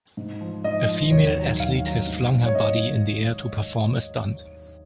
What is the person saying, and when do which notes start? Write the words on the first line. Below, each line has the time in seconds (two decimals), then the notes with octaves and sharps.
A female athlete has flung her body in the air to perform a stunt.
0.17 G#2
0.41 F3
0.64 G#2 D#5
0.89 F3
1.11 D#2 C#5
1.36 D#3 F#3
1.59 D#2 F5
1.84 D#3 F#3
2.07 G#2
2.32 F#3
2.46 C#5
2.55 G#2 D#5